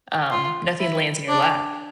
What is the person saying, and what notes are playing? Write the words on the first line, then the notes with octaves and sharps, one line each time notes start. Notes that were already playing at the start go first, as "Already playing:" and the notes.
Um, nothing lands in your lap.
F4
E4
D4